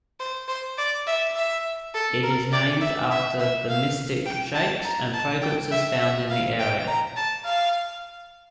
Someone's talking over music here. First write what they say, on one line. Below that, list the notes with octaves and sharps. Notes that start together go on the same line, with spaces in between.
It is named after the mystic shapes and fragrances found in the area.
C5
C5
D5
E5
E5
A4
A#4
D5
E5
E5
E5
F5
G5
A5
A#5
A5
G5
E5
E5
F5
G5
A#5
A5
F5